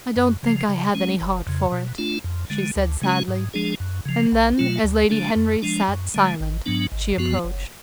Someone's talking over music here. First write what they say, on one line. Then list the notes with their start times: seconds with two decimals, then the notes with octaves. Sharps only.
"I don't think I have any heart for it," she said, sadly; and then, as Lady Henry sat silent, she approached.
0.16 F#2
0.43 C#3 F3
0.69 C#3
0.95 G#3 C#4
1.21 F#1
1.47 F2 C#3
1.72 B2
1.98 A3 D4 F4
2.24 F2
2.50 D3 G#3
2.76 D2
3.02 C#3 G#3 C#4 F#4
3.28 G#2
3.54 F3 G#3 D4 G#4
3.80 F#2
4.05 C#3 F3
4.32 B1
4.58 B2 F#3 A3 F4
4.84 D2
5.10 D3 G#3 D4
5.36 F2
5.62 F3 G#3 D4
5.88 F#2
6.14 D3 G#3
6.40 G#1
6.66 G#2 F#3 B3 D4
6.92 G#1
7.17 F#2 F3 B3 F#4
7.44 F#1